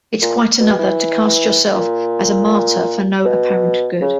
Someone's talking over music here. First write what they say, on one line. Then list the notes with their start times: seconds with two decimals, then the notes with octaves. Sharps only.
It's quite another to cast yourself as a martyr for no apparent good.
0.22 A#2
0.60 B2
0.79 E3
1.75 A#2
3.25 B2
4.02 C#3